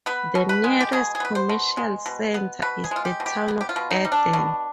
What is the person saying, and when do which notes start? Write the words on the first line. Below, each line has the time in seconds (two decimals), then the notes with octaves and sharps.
The nearest commercial centre is the town of Eden.
0.06 B3 B4
0.35 B2
0.49 B4
0.64 G#3
0.80 G4
0.92 B2 G#4
1.15 G#4
1.20 B3 B4
1.35 C5
1.49 B2
1.77 G#3
2.06 B2
2.34 B3
2.62 B2 B4
2.84 G#4
2.91 G#3 F4
3.05 G4
3.20 B2
3.26 G4
3.48 B3
3.61 G4
3.69 F4
3.76 B2
3.91 D#4
4.05 G3
4.12 D4
4.33 B2